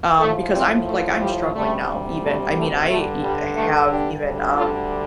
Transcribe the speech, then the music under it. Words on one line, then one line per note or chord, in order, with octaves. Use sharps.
Um, because I'm like, I'm struggling now even. I mean, I h have even, um,
A2 F3 A3
G3 C4
A3
G3
D2 C3 G3 A3
A3
A3
G2 D3 G3 A3
G3
A3
D4 G4
D2 D3 G3
F4 A4